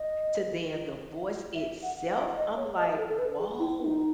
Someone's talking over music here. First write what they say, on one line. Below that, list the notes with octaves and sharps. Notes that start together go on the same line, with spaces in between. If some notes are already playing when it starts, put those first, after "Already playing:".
to, then, the voice itself, I'm like, "Woah."
Already playing: D#5
E5
F#5
F#5
D#5
C#5
D#5
A4
A4
B4
G#4
E4
D#4